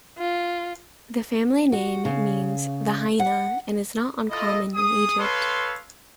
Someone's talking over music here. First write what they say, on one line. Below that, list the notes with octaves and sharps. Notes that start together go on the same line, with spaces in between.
The family name means "the hyena" and is not uncommon in Egypt.
F4
F#4
C#3
F#5
E4 F4 A4 D#5
G#4 D#6
A4 B4 C#5 F5 C6